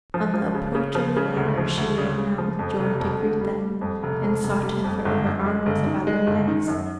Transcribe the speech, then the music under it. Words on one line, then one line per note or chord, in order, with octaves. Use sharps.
On the approach of the latter, she ran out with joy to greet them, and sought to throw her arms about their necks.
F3
F3
C#3
C#3
F3
C#3
D2
F3
D2
C#3
C#3
F3
F2
F1
F2
D3
G3
G3
F2
F1
F2
F1
G3
F2
G1
F#2
G#3
G1
D#3
G#3
G1
D#3
F#2